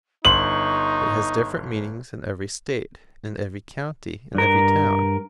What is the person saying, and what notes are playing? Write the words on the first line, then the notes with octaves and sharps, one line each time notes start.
It has different meanings in every State, in every county, in every town.
G1 D#4 C6 C#6 F#7
G2 A#4